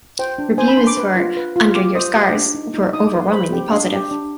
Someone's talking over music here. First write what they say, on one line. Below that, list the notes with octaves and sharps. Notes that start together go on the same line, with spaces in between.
Reviews for "Under Your Scars" were overwhelmingly positive.
C5 G5
D4
C5 G#5
B5
D4 C6
D6
B4
F4
B4
F4
G4 D6
C5 D#6
G4 D#6
D4
D#4
D#4
D#4 D#6
D6
B4
C6
C5 B5
G4 G5
D4 F5
G4
D4